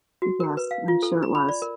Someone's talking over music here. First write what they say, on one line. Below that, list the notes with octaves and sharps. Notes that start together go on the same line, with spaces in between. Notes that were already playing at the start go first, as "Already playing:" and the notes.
Yes, I'm sure it was.
F#4
A#4
B4
F5
F4
A4
A#5
B5
D5
A#4